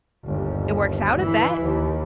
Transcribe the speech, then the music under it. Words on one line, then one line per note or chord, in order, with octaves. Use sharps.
"It works out at that."
G1 D#2
E3 E4
D#2